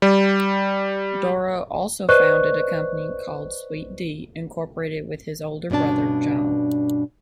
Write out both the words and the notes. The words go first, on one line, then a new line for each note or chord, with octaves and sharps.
Dorough also founded a company called Sweet D, Incorporated with his older brother John.
G3
B4 C5 D5 D#5 C#6 F#6
G2 B2 C#4 D4 A5